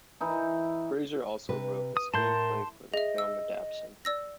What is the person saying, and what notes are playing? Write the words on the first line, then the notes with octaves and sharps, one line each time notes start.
Fraser also wrote the screenplay for the film adaptation.
E3 D#4
C3 B4
D#6
A2 A#4 A5 C6 G6
G#4 D#5 E5
E6
D5 E6 A#6